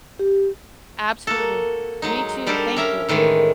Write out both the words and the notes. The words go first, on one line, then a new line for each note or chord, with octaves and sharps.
Absolutely. Me too, thank you.
G4
A#3 F#4 A4
F#3 G#3 D#4
G3 D4 G4 A4 A#4 C5
C#4 A#4 E5 F5 A#5
A2 D#3 E3 G#3